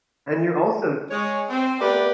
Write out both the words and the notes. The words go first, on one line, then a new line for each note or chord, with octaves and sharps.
And you're also
G#3 C#5
C4
A3 B3 G4 A#4 B4 D5